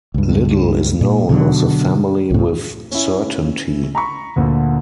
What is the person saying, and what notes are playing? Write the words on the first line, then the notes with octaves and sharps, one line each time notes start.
Little is known of the family with certainty.
C#2 G2
A#2
B2 D3 F#3
C#2 A2
C#4 E4
A#5 B5 C#6
D2 A#2 D3